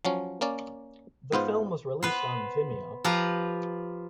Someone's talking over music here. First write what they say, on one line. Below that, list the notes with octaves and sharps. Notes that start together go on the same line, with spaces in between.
The film was released on Vimeo.
F3 F#3 C#4
A#3 C#4 D5
G#2 B3 F4 C5
B3 B4 C5
F3 F4 G4 B4 A#5